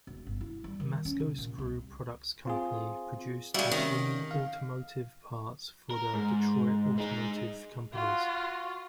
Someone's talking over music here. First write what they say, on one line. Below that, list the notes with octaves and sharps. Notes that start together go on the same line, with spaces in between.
Masco Screw Products Company produced machined automotive parts for the Detroit automotive companies.
E1
G1
E4
G3
D#3
C#4
C3
A#2
C2
C4 F4 G#4
G3 G#3 F#4 E5 F5
C3 D#3 C#4
F5
A#4
G#2
G#3 D#4
F4 F#4